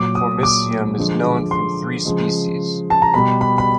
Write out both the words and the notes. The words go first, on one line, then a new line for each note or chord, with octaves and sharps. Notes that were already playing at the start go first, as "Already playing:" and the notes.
"Formicium" is known from three species.
Already playing: A#2 F#3 D6
D#6
D6
D3 F3 G#3
C6
C#3 F3 G#3
A5
A#5
B2 G3 B5
B5
B5